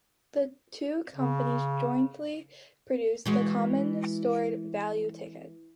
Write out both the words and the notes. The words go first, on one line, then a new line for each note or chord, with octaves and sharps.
The two companies jointly produced the common stored value ticket.
C#3
E3 G#3 F#4